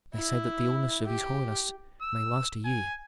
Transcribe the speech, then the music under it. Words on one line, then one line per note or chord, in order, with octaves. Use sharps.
"They say that the illness of his holiness may last a year."
E4
G4
E6
G#5